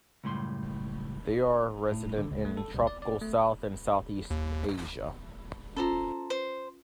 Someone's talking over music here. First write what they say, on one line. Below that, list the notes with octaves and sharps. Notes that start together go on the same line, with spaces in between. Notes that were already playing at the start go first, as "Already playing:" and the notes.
They are resident in tropical South and Southeast Asia.
C#2 F#2 A2 G3 C6
A2
D3
C#2
A3
A4
C2
D5
D5
A3
D#2
C#4 F4 A4 C5 A#5
C5